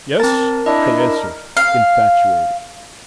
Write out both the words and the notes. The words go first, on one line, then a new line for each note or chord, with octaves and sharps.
"Yes," I answered, infatuated.
C4 A#4 A5 A6
D4 E4 D#5
F5